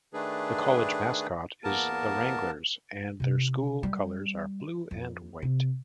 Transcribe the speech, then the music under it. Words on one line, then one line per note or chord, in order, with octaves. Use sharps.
The college mascot is the Wranglers, and their school colors are blue and white.
D#3 A3 D4 G#4 B4
E2 A#3 B3 A#4 A5
C3 D#4
G3
F2
C3